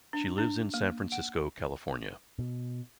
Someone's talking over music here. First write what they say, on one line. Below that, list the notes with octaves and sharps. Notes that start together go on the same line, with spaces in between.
She lives in San Francisco, California.
D4
D4
A#3
F#5
B2